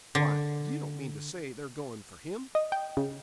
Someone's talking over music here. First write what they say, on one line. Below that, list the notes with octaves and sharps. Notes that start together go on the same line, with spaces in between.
Why, you don't mean to say they're going for him?'
D3
D#5
G5
C#3